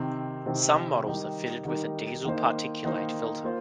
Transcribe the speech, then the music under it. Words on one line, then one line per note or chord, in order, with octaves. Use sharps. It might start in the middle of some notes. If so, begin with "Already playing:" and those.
Some models are fitted with a diesel particulate filter.
Already playing: C3 D#3 C4
C3 D#3 C4
D#3 G3 D#4 A#4
D#3 G3 D#4 A#4
D#3 A#3 D#4 C5
D#3 A#3 D#4 C5
A#3 F4 C5